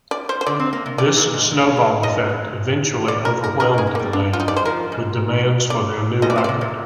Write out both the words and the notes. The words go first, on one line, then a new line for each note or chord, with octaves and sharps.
This snowball effect eventually overwhelmed the band with demands for their new record.
D5
C5
C5
D3 D5
C4
A#3
C3
C3 D5
A#2
G#2
A#2
A#2
G#2 D#5
A#2
D5
A#4
A#4
C3 A#4
A#3
G#4
G#3
G3 A#3
D4
F4
D#4
D5
C5
F3 A#4
G#2
D5
G#2 D#5
D5
A#2 C5
C3 D5
A#2